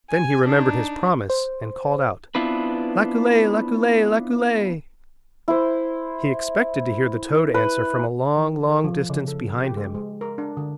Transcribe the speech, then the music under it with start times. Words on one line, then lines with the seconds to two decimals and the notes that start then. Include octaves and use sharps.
Then he remembered his promise and called out, "Laculay, laculay, laculay." He expected to hear the toad answer from a long, long distance behind him.
0.11 G#5
0.47 D4 D#4
1.30 C5
2.35 B3 C4 D4 E4 F4 B4
5.48 E4 C5
7.54 B4
8.37 E3
8.69 A4
8.84 F3
9.10 C#3
9.28 A4
9.64 G4
9.77 G#3
9.94 G#3
10.21 A#4
10.38 D4
10.57 D3